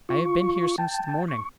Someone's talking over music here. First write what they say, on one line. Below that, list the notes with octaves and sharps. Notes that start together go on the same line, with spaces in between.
I have been here since the morning.
F4 C#6
G5 A5
C#6